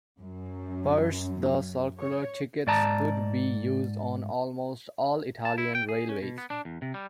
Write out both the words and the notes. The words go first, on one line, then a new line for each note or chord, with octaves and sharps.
First, the circular tickets could be used on almost all Italian railways.
F#2
C#5
G#2 D5 A5 A#5
A5
E4
G5
G#4
C#4
B2
B3
D4
E2
C3
G3